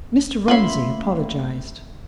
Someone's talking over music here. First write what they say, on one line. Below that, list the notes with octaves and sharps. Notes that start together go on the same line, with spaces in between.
Mr. Romsey apologized.
A3 A#3 C#4 F4 C#5 E5 B5 C6